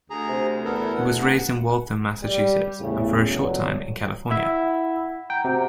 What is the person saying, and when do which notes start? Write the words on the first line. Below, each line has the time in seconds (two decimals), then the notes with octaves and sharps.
He was raised in Waltham, Massachusetts and for a short time in California.
0.10 D2 G#4 A#5
0.28 C3
0.65 E2 B3 A4 A#4
0.96 D2 F#5
1.21 F#5
2.23 G3
2.80 E2 A2 C#3
3.28 G1 B2 D3 E3 F#3
4.31 E4 E5 F#5
5.30 F#5 G5 A#5
5.45 C3 F#4 A#5